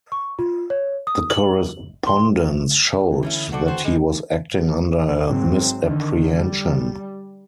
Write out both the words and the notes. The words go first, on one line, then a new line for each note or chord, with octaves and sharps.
The correspondence showed that he was acting under a misapprehension.
C#6
F4
C#5
D#6
F#7
C6
D3 E3 A3
E3 C#4 E4 G6
C4 F#4 A4 D5 G5
F#4 A4 C5
G3 G#3 E4 A4 C5
G#2 F#3 C4
D3 D#3
G3